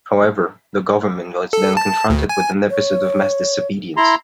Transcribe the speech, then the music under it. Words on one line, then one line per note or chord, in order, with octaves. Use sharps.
However, the Government was then confronted with an episode of mass disobedience.
A4
A5
D2
G#5
C#5
E4 A#5 C6